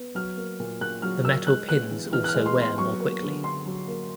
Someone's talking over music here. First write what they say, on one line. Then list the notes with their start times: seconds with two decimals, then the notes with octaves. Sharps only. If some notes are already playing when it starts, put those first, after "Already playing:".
The metal pins also wear more quickly.
Already playing: B3
0.15 F#3 F6
0.37 A#3
0.60 A#2
0.81 A#2 F#6
1.02 F#3 F6
1.25 A#3 E6
1.46 G#3 F#6
1.69 B3 F#6
1.91 E3
2.12 E3 F6
2.24 F#6
2.28 F6
2.35 G#3
2.46 C6
2.56 B3
2.61 C6
2.78 F#3 C#6
3.00 A#3
3.22 D3
3.44 D3 C6
3.66 F#3
3.88 A#3